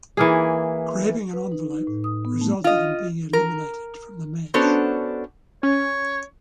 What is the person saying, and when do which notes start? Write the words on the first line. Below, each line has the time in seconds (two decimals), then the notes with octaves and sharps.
Grabbing an envelope resulted in being eliminated from the match.
0.17 E3 A#3 G#4
1.33 B4
1.52 D#4
1.71 D#4
1.87 A2
2.04 D#6
2.25 B3
2.41 A3
2.64 F4 D#5
3.33 A#4
4.54 B3 C#4 D4 F#4 A4 C5
5.63 C#4 C#5